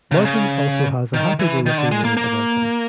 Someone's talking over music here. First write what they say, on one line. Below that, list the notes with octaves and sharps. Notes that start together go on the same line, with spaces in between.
Martin also has a happy-go-lucky way about him.
C#3
C3
C#3
D#3
E3
D#3
D3
G#3
A#3
A#3